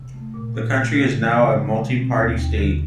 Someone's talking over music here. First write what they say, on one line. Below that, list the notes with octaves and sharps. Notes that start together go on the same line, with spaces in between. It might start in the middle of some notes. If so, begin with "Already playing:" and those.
The country is now a multiparty state.
Already playing: C3
A3
A#2
A#2
A3
C#3
E3
C#3
G#3
B2
C4
D#2
D#2
D3